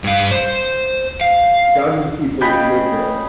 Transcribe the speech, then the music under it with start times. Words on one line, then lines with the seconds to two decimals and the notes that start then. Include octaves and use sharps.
Dargin people live there.
0.04 G2 F5
0.31 C5
1.21 F5
2.41 C#3 D#5 G5 B5